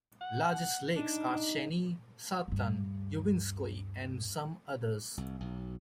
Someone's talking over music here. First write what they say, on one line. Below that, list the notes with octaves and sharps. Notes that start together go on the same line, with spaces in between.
Largest lakes are Chany, Sartlan, Ubinskoye, and some others.
F#5
D4 D#4
D2 G2
C2
B1